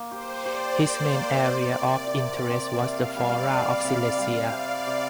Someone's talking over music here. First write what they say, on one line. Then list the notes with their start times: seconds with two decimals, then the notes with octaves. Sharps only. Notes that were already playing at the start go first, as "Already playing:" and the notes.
His main area of interest was the flora of Silesia.
Already playing: A#3
0.11 G4 C5
0.46 G4 D5
0.79 A#4 D5
1.13 A#3
1.47 C4
1.81 C3
2.15 C3 D5
2.49 C4
2.83 C3 F5
3.16 G3 D5
3.50 G3 D5
3.84 C3 F5
4.18 G3 F5
4.52 C3 D5
4.87 C3